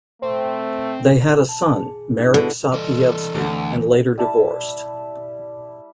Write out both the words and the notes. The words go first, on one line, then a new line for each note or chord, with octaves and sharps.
They had a son, Marek Sapieyevski, and later divorced.
A3 C4
A5
G#4
D4 E4 G#4
B2 D3
E3 A4 D5 D#5
D2 D3
G3 E4 A5